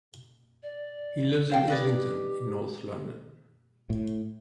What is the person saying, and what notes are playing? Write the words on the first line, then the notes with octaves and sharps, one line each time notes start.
He lives in Islington in north London.
D5
C5 D5 F5 G5
D#4 G4 B4 D5
A2